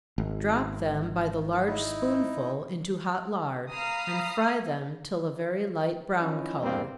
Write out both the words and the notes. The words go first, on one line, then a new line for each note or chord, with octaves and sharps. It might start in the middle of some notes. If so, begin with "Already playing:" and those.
Drop them by the large spoonful into hot lard, and fry them till a very light brown color.
G#1
D#4 E4
F5 A#5 B5 D#6 C7
F3 C#4 D#4 E4
E2 G2 G3 A#3 C4